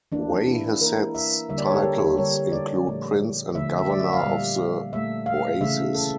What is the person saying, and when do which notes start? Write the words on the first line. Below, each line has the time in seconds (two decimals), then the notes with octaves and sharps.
Wayheset's titles include Prince and Governor of the Oasis.
0.12 E3 A#3 D4
0.46 E4
0.81 E3 A#3 A#4
1.15 E5
1.49 D3 G3 A#3 E5
1.58 D5
1.66 C#5
1.71 G4
1.74 A4
1.83 A#4
2.18 D3 G3 A#3 C#5
2.52 D5
2.87 A#2 F3 A3
3.55 D3 F3 A3 E5
3.79 E5
3.90 D5
4.00 E5
4.13 F5
4.23 A#2 G3 A#3
4.92 A#2 A3 E5
5.26 F5
5.61 C#3 E3 A3 E5
5.95 A4